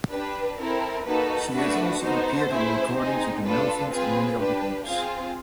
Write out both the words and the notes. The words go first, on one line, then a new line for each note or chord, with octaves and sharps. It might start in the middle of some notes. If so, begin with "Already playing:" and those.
She has also appeared on recordings with The Melvins and many other groups.
D4 G4 B4
C4 E4 A4 A#4
A#3 D#4 F#4 A4 B4
A3 D4 F#4 B4
B3 D#4 F#4 A4 C5
A3 C#4 E4 G#4
C4 D#4 G#4
D4 F4 A4 B4
C4 F4 G#4 B4
D4 G4 B4
C4 F4 G#4 F5